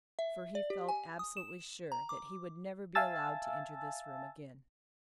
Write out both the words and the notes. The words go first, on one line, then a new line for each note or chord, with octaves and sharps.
For he felt absolutely sure that he would never be allowed to enter this room again.
E5
D5
G4
G#5
D#6
E7
A#5
D6
E5 F5 G#5 A5 E6 A6